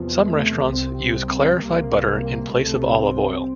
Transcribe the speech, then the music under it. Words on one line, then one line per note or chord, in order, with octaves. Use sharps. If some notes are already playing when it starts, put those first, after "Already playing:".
Some restaurants use clarified butter in place of olive oil.
Already playing: E2 C3 F3
A3
C2 C3 C4
C2 C3 A#3
C2 C3 A3
C4